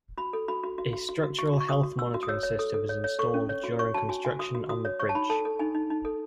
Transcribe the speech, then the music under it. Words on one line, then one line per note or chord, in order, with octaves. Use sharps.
A structural health monitoring system was installed during construction on the bridge.
F#4 B5
A4
F#4 B5
F#4
F#4
F#4
F#4
F#4
F#4 C#6
F#4
C#6
F#4 D#6
F#4
F#4 E6
F#4
D#6
C#5 E6
C#5
A4 D#6
A4
C#5
C#5
A4 C#6
C#4
C#5
F#4
C#5 C#6
F#4 A5
F#4 G#5
F#4 G#5
F#4 D#6
F#4
F#4 D#6
C#5
C#5 C#6
A5
D#4 B5
A4 A5
A4
D#4 G#5
D#4
D#4
A4